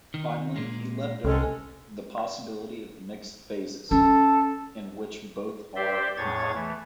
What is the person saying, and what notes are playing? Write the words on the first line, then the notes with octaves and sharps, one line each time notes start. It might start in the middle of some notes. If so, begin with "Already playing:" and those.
Finally he left open the possibility of mixed phases, in which both are confined.
D#3
A#2 G#3
C2 D#3 G#3 C#4 A4
C#4 A4
G4 C5 D5 E5 G5 C6
E2 A2 G#4 C#5 G#6 A6
E3 A3